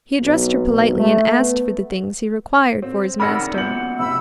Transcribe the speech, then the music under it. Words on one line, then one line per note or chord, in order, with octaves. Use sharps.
He addressed her politely and asked for the things he required for his master.
B1
B1
A3
B3
C4
C3 D#3 A#4 D5 F#5 B5 E6 A#6
F#2 A#2 B3 F#5 G6 F#7
F1 B5 E6